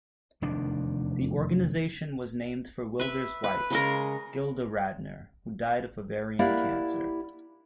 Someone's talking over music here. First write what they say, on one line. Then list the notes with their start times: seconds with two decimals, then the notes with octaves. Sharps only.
The organization was named for Wilder's wife, Gilda Radner, who died of ovarian cancer.
0.42 F1 E2 D#3 D4
3.00 B4 E5
3.44 B4
3.70 C#3 G#3 A#4
6.39 A#3 E4 G4 D5 F5 F#5